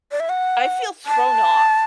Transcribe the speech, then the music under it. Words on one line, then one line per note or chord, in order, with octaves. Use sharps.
I feel thrown off.
D5
E5
F#5
A5